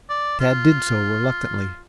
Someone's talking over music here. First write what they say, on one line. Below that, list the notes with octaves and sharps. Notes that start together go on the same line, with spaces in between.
Tad did so reluctantly.
D5
F4